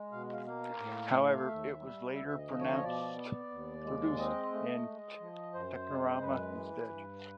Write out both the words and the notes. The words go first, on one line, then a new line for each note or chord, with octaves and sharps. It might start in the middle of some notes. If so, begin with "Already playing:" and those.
However, it was later produced in Technirama instead.
Already playing: G#3
B2 F5
F5
A#3 F5
A2
A3
D#2 E5
G3
D2 E5
E5
D#5
F3
C#5
D#5
B2 D5
B3
D#2
G#3
C4 D#5
A3
G#3
F3
F#2 C5
G#3
F#2 B4
E3
G2